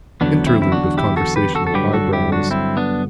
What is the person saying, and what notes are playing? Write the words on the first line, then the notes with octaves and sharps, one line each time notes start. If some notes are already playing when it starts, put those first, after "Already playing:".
Interlude of conversational eyebrows.
E2 D3 F#3 B3 D4
C4 E4
E4
D4 F#4
E4 G4
F#4 A4
G4 B4
F#4 A4
A4
G2 D3 F#3 G4 B4
F#4 A4
E4 G4
D4 F#4
C4 E4
B3 D4